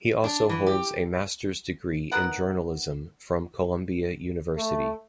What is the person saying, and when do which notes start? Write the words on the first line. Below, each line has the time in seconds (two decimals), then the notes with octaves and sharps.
He also holds a Master's Degree in journalism from Columbia University.
0.24 D4
0.49 E3
0.67 G4
2.12 D#3 B3 A#4 F#5
4.57 A3